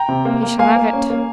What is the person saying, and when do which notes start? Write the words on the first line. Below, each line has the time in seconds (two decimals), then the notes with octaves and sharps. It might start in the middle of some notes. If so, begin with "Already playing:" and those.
You shall have it.
Already playing: G5 A#5
0.09 C3
0.25 A#3
0.43 A#3
0.59 A#3 F5 G#5
0.76 A#3
0.93 C#4
1.10 A#3